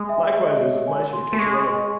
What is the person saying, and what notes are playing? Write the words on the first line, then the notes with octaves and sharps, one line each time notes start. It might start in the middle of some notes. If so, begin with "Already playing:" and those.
Likewise, it was a pleasure, catch you later.
Already playing: G#3
E5
D#5
C#5
G#5
C6
A3
G#3 C#6